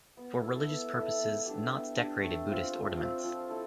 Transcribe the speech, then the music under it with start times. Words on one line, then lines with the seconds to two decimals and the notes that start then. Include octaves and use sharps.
For religious purposes knots decorated Buddhist ornaments.
0.17 B3
0.43 E4 A4 E5
0.68 B3
0.94 E4 A4 E5
1.20 B3
1.45 D4 G4
1.70 B3
1.96 D4 G4
2.22 A3
2.47 C4 F4
2.72 A3
2.98 C4 F4
3.24 F3
3.49 E4 A4